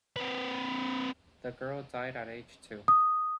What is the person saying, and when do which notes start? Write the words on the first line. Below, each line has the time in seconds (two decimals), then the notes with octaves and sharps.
The girl died at age two.
0.16 C4 B4
2.88 D#6